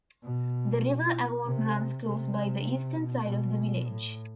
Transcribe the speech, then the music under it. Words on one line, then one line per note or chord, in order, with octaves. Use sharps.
The River Avon runs close by the eastern side of the village.
B2
C3
C3
B2
B2
A2